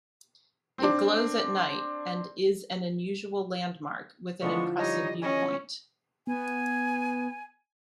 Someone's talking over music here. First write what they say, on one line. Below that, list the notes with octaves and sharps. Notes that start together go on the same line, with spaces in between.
It glows at night and is an unusual landmark, with an impressive viewpoint.
C4 D4
A2 D3 F3 G#3 B3 D4 C#6
G3 D#4 C#5 D#5
C#4 D#5 G#5
B3 G#5